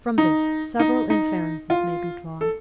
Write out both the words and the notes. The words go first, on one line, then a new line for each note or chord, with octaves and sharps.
From this several inferences may be drawn.
D#4
D#4
D#4
F4
A4